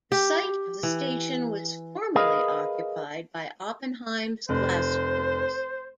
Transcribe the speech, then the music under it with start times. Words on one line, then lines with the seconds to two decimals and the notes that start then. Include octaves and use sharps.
The site of the station was formerly occupied by Oppenheims Glassworks.
0.12 G4
0.83 E3
2.15 G#4 A#4 B4 D#5 F5
4.49 F1 C5